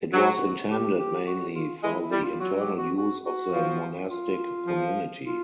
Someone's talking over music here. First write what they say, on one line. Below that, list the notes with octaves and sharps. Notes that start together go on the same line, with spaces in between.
It was intended mainly for the internal use of the monastic community.
F#3 F#4
G4
G4
F#4
F4
G#3 E4
E4
G3
F4
F#3 F#4
G4
F#4
F#4
F#4
F3
F4
F3
F4